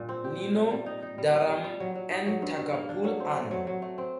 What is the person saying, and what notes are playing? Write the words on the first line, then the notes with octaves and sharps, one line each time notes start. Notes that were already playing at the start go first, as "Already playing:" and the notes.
Nino, Daram, and Tagapul-an.
Already playing: A#2 G3 D4
C4
G4
G4
G3
G3
D#4
D#4
G3
G3
G3
G3
F#3
F#3
D#4
F#3
G2
G2
A#3
D4
F#3
C4
A3
F#3
F#3
A3
C4